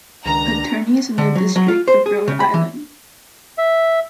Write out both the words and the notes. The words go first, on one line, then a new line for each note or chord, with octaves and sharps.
Attorneys in the District of Rhode Island.
C#2 D#3 D4 A#5
D3
F#3
F#3
F4
C5
G#4
C#3
B5
E3
E5